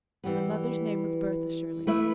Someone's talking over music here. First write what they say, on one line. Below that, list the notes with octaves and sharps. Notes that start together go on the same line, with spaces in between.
My mother's name was Bertha Shirley.
E3 G3 B3
A3 E4 B4 E5